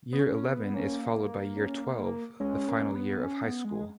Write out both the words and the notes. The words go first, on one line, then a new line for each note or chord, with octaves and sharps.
Year Eleven is followed by Year Twelve, the final year of high school.
B3
C#4
B3
A#3 C#4
C#4
G#3 C#4
A#3
B3
C#4
B3
G#3